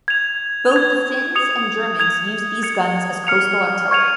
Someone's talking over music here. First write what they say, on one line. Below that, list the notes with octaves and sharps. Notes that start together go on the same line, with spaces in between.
Both the Finns and Germans used these guns as coastal artillery.
G#6 F7
G#6 F7
D#6 G#6 C#7 F7
G#6 F7
G#6 C#7 F7
F6 C#7 F7
C#6 G#6 C#7 F7